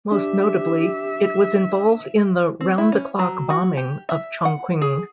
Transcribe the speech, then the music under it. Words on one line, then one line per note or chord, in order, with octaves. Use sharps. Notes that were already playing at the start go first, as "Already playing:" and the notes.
Most notably, it was involved in the round-the-clock bombing of Chongqing.
D4 G4 E5
C4
E4
C#4
F#3
F#4
G4
E5
F#5
G#4